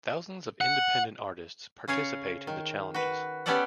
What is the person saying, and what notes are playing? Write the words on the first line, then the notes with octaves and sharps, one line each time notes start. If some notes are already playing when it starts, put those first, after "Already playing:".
Thousands of independent artists participate in the challenges.
F#5
C#3 C#4 G#4 C#5
D#3
F#4 B4
B3 C#4 G4 A4 D5 F#5